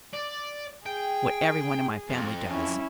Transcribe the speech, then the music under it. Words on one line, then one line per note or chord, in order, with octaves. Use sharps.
What every one in my family does.
D5
G#4 G5
F2
C#4 E4